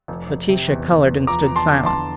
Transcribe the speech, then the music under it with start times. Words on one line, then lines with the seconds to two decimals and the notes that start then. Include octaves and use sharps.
Laetitia coloured and stood silent.
0.08 F1
0.29 F1
0.49 C3
0.68 E2
0.88 E2
1.07 E2
1.27 F3 A#5 D6
1.46 E2
1.56 A5 C6
1.66 D3
1.86 E2 A5 C6